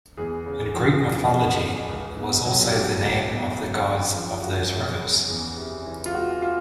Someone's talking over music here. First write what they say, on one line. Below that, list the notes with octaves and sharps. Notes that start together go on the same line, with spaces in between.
In Greek mythology, it was also the name of the gods of those rivers.
E2 G#4
C#3
F3
E2
E2
C#3
C#2
B2
F#3
G4
A3 F#4
C#2
B2
F#2
C#3
F3
G#3 F#4
F#2
C#3
E2
C3
E3
F4
G#3 F#4
F4